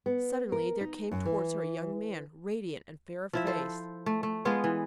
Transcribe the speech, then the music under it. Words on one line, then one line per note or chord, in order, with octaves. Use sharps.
Suddenly there came towards her a young man radiant and fair of face.
B3
A#4
D#4
F#2
E3
F3 E4 E5
A4 C5
A3
A3
G#3 B3 F4 G#4
E3